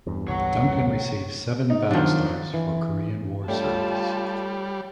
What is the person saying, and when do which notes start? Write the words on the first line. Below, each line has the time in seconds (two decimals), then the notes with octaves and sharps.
"Duncan" received seven battle stars for Korean War service.
0.07 E2 G2
0.28 C2 D3 C#5 F#5 A#5
1.70 D#4
1.91 D#3 F3 F#3 D4
2.54 E3
3.48 G3 A3 D4 F4 G4 C#5 A5